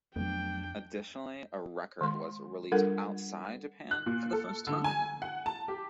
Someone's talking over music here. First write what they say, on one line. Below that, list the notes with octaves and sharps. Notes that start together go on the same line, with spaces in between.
Additionally, a record was released outside Japan for the first time.
F2 F#3 A3 B3 D4 G5
D#3 G#3 C6
G3 D4 F4 A4 A#4 F#5
F#6
A#2
A4
D3
G#5
F#5
A5
G4